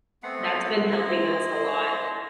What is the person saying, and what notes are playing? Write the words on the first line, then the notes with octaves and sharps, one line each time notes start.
that's been helping us a lot.
A3 B3 C4 F#5
E4 C5 D#5